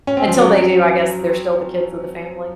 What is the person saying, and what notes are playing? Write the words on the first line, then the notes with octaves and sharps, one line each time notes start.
until they do, I guess they're still the kids of the family.
C#4
C4
F3
F#3